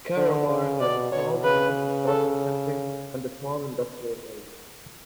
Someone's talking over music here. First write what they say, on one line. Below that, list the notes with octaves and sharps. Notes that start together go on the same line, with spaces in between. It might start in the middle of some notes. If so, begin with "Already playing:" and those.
Carramar has a small commercial shopping centre, and a small industrial area.
D3
C#3
B2 D5
B2 C#5
C#3 B4
A4